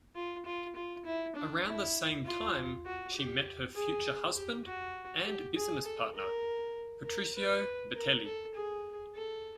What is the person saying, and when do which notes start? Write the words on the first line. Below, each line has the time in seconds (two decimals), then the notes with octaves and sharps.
Around the same time she met her future husband and business partner, Patrizio Bertelli.
0.16 F4
0.46 F4
0.76 F4
1.05 E4
1.36 D4
1.65 E4
2.25 F4
2.85 F#4
3.16 G4
3.75 G#4
4.35 G4
4.65 F#4
5.25 G4
5.55 G#4
5.85 A4
6.15 A#4
7.05 A#4
7.35 B4
7.95 A#4
8.25 A4
8.55 G#4
9.15 A4